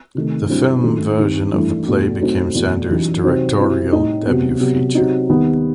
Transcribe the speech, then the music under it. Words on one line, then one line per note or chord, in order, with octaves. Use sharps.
The film version of the play became Sander's directorial debut feature.
C3 D#3 A3
G2 F#3 C4 E4
F#2 D#3 A3
D#2 D#3 G3 C4
G2 E3 A3 E4
E2 B2 A3
B2 F#3 A3 C4 D#4
E2 B2 A3
F#2 E3 G3 D#4
C3 F#3 C4 D#4
B2 G3 C4 E4
A2 G3 D#4
C3 F#3 B3
C3 F#3 B3
C3 F#3 C4 D#4
D#2 D#3 G3 B3